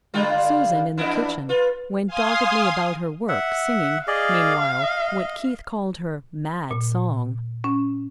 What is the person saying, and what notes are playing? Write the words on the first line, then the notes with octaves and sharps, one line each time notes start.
Susan, in the kitchen, went doggedly about her work, singing, meanwhile, what Keith called her "mad" song.
D3 G3 G#3 F4
F5
E2 B3 D4 E4
F4 B4
F5 G#5 C6 D#6
E5 F#5
G#4 D5 D#5 F5
D#5
A#2
C#4